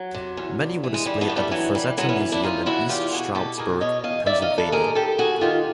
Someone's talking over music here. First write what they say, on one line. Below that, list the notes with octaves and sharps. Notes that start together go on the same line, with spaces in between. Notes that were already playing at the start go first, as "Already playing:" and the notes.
Many were displayed at the Frazetta Museum in East Stroudsburg, Pennsylvania.
Already playing: F#3
C3
E2
G2
E3
G#3
E3 G3
A3 B3
G2
G3 A3
E3 F#3
E3 G3
E3 F#3 G#3
B3 C#4
E3
D4 E4
E2 D#4 F4
E2 E4 F#4
E2 F4 G4
B2 F#4 G#4
B2 G4 A4
B2 G#4 A#4
B2 C#5 D#5
E2 D#5 F5
D#3 D5 E5
D#5 F5
D#3
A4 B4
D#2 G#4 A#4
D#2 G4 A4
D#2 F#4 G#4
D#3 F4 G4